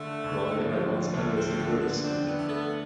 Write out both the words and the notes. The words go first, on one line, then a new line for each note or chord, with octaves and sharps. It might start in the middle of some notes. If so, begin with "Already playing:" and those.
Why, I once addressed a girls' school.
Already playing: D3 A3
D2
F3 G3
G3
D2 A3
C4
D3 A3
B3
C4 D4
B3
A3
A3 B3